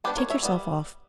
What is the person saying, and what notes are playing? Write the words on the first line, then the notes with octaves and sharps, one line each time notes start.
Take yourself off.
G3 B3 D4 G4 B4
A#4 C#5
C#5 E5
G3 B3